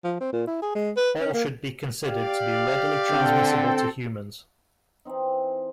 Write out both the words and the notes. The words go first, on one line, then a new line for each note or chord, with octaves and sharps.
All should be considered to be readily transmissible to humans.
F3
C4
A#2
E4
G#4
G#3
B4
C#4
A#3
G4 D5 F5
D3 C4 A4 G5
E3 C4 D#4